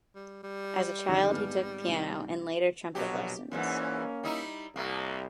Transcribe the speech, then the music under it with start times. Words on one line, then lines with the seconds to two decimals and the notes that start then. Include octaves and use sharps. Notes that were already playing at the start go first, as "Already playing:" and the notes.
As a child he took piano and later trumpet lessons.
0.15 G3
0.43 G3
1.08 F2 D3 D#3
1.31 G#1 B3 F6
1.88 C2 D#3
2.95 A#1 B2 F#3 G4
3.51 E2 G#2 E3 A#3 C#4
4.23 G3 D#4 E4
4.76 C2 A#3